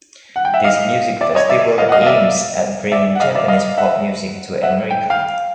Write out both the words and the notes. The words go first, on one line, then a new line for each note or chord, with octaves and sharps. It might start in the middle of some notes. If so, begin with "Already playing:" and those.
This music festival aims at bringing Japanese pop music to America.
F#5
G5
E5 F#5
D#5 F5
D5 E5
C#5 D#5
D5 E5
D#5 F5
F#5
D#5 F5
F5
D5 E5
D5 E5
F#5
D#5 F5
D5 E5
D#5 F5
E5 F#5
E5 F#5
G5
F5 G5